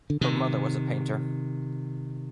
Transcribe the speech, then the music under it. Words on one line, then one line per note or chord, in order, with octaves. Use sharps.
Her mother was a painter.
D3
C3 D#3